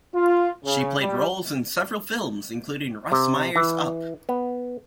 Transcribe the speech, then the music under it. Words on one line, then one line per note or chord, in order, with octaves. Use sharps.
She played roles in several films, including Russ Meyer's Up!
F4
C#3
G3
C3
E3
B3